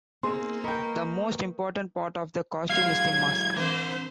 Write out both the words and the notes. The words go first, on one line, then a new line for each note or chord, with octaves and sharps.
The most important part of the costume is the mask.
A#3 C4 D#4 G#4 C6
A#4 B4 D#5 G5 C#6
E3 F#3 G#3 F5 G#6 C7
E3 C4 D4 A#4 C5